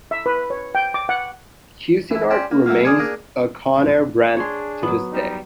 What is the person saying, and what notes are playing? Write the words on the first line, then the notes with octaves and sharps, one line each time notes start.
Cuisinart remains a Conair brand to this day.
E5
B4
C#5
G5
D6
F#5
E3 E4
C#4 G4 C5 D5
A#3
F#3 A3 A#3 F5
G#4 C#5 D5 F5 G#5 D#6
A#3 D4 G#4 A#4
D4 G#4 C#5 C6
F#3 B3
G3 D#4